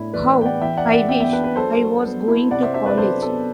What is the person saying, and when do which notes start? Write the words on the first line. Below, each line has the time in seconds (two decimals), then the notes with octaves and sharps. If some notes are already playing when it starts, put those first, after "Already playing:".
How I wish I was going to college!
Already playing: A2 D4 E4
0.13 E3 B4 D5
0.38 B3 G5
0.45 D5 F#5
0.61 E3 E5 G5
0.77 D5 F#5
0.85 E3 E5
0.92 D5 F#5
1.09 B3 E5 G5
1.20 E5 G5
1.32 D4 B4
1.44 B4
1.56 F#3 A4 C5
1.79 F#3
2.04 B3
2.28 E4
2.51 C3 D5 F#5
2.62 C5 E5
2.74 D4 C5 E5
2.86 B4 D5
2.98 F#3 A4 C5
3.22 B3 A4